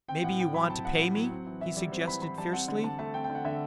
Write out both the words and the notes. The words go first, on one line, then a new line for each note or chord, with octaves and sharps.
"Maybe you want to pay me?" he suggested fiercely.
C4 G5
A2 F#5
A2 G5
F#3 B5
C4 A5
A2 F#5
A2
F#3
C4
E3
E3 E5
G3
C4 C5
E3 B5
E3 B5
G3 A5
C4 F#5
D3
D3 A5
A3 A5
C4 G5
G5
D3
F#5
D3 E5